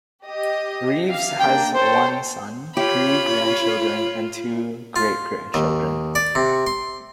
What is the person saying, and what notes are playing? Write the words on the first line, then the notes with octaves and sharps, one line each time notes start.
Reeves has one son, three grandchildren and two great-grandchildren.
G4 D#5
G4 E5 F5
A#3 D4 G5
A4 C5 C#5 G5
F4 G4 C#5 B5
F4
D#2
D5
C3
C6